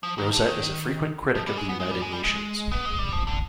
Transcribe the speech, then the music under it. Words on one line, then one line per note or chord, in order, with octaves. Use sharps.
Rosett is a frequent critic of the United Nations.
F3
D#3
D3
D#3
F3
G3
G#3
B3
G#3
G3
G#3
G3
G#3
B3
G#3
G3
F3
D3